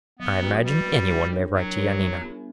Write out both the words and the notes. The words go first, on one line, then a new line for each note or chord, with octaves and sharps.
"I imagine any one may write to Yanina."
F#3 B3
A#3 C#4 F#4 B4
F#3 G3
A#3 C#4 F#4 B4
A#3
D4 A#4 C#5
F#3 A#3
D4 A#4 C#5
G3
B3 D4